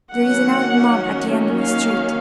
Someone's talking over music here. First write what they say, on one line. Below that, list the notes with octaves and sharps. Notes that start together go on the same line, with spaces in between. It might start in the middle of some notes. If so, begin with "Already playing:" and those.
'There is an armed mob at the end of the street.'
D#3 F#3 A#3 C#4 F#5
F5